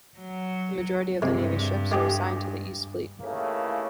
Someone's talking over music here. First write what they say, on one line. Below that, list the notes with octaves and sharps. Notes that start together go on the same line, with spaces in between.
The majority of the navy's ships are assigned to the East Fleet.
F#3
G2 C3 G#3
G#3 G4 G#4
D#2 A2 C#3 E3 A3 A#3